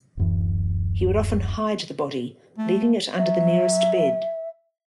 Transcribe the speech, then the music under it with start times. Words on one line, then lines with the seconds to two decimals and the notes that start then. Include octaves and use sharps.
He would often hide the body, leaving it under the nearest bed.
0.17 D1 F#2 E3
2.58 A3
3.18 F#3 E5